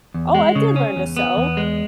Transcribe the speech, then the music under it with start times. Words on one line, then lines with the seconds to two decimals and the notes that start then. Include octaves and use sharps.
"Oh, I did learn to sew."
0.14 E2
0.35 G#3
0.55 C#3
0.76 C#4
0.96 E2
1.17 B3
1.37 E2
1.57 G#3